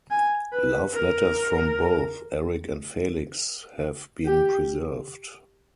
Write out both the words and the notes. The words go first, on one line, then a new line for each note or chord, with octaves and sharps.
Love letters from both Eric and Felix have been preserved.
G#5
B4
A#4
G4